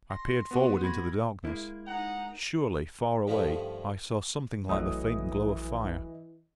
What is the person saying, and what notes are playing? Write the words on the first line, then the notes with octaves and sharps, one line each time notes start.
I peered forward into the darkness: surely, far away, I saw something like the faint glow of fire.
C6 A#6
B3 F#4
B5 G#6 A#6
G#3 A#3 E4
D#4 F#5 A#5
G2 D3 D#3 F3 G3 A3
A#1 E3 F#3 A3 D#5 D#6